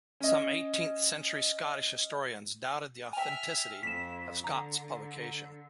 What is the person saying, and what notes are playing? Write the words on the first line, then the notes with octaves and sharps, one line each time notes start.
Some eighteenth century Scottish historians doubted the authenticity of Scott's publication.
C#4 D#5
E5 G5 G#5 F6
F2 B6 E7
D3 A#5